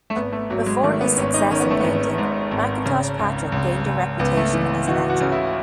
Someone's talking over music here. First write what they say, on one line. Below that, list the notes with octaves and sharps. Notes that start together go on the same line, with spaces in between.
Before his success in painting, McIntosh Patrick gained a reputation as an etcher.
A3
G#1 B3
A3
G#1 F#3
G#3
D#3 A3
B3
G#1 C#4
D#4
D#3 C#4
B3
A3
G#1 B3
G#2
G#1
C#3
C#2
C#2
C#2
C#2 B3
A3
E3
E3 F#4
F#4
C#3
E4